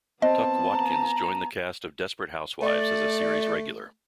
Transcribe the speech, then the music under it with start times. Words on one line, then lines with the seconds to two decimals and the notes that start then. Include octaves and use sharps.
Tuc Watkins joined the cast of "Desperate Housewives" as a series regular.
0.22 B3 C4 D#5 A5
0.71 A#5
2.62 A3 D5